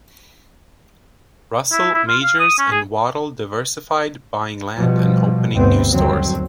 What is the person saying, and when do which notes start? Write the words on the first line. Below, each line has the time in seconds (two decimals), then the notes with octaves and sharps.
Russell, Majors, and Waddell diversified, buying land and opening new stores.
1.72 E4
1.94 E4
2.08 F4
2.23 F5
2.40 D#6
2.59 C#4
2.72 G#4
4.76 B2 F3 G3
5.54 G1 D2 B3 C4
5.91 G1 D#2 F#3 C4